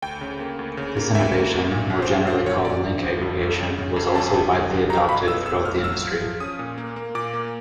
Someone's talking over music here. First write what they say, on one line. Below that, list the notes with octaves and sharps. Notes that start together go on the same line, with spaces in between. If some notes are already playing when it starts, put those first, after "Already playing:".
This innovation, more generally called link aggregation, was also widely adopted throughout the industry.
D2 G5
C#3
A#3
D2
C#3
A#3
D2 E5
A#3
A#1
A#2
A#1
C5
F3
A#2 C5
F3 C#5
F3 D5
F3
G1
F2
G1
C#3
C#3
F2
G1 A5
G1
F#3
B1
B1 A#5
B1 B5
B3 E6
B1 E6
A2 F6
F#3 E6
F3
F3
C#4 D#6
A#2
A#3
A#3
A#2 D6
A#3